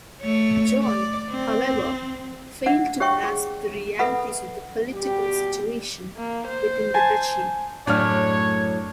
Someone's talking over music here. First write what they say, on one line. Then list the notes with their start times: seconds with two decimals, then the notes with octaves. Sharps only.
John, however, failed to grasp the realities of the political situation within the duchy.
0.22 A3 C#5
0.83 D5
1.30 C4
2.66 D4 E5 F#5
3.00 G4 C#5 E5 G5 C#6
3.24 G#4
3.99 A4 B4 E5 F#5 B5
4.94 B2 G3 G4
6.17 A#3
6.48 C5
6.94 G#5 A5
7.87 F#2 A2 F#3 D4 C#5 F6